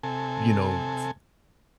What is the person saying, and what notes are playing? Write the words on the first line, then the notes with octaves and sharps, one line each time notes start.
you know, f
C3 A4 G#5